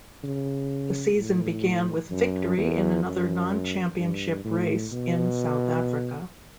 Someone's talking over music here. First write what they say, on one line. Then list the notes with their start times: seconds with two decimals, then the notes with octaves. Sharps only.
The season began with victory in another non-Championship race, in South Africa.
0.23 C#3
1.17 A2
2.11 F#2
2.58 E2
3.05 F#2
3.98 G2
4.45 A2
4.92 B2